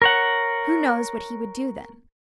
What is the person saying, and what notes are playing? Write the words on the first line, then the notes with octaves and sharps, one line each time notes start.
Who knows what he would do then!
A#4 C#5 F#5